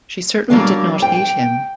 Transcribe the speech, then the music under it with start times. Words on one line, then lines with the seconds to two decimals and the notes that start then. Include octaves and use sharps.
She certainly did not hate him.
0.50 F#3 G3 A#3 D4 F5
1.02 G5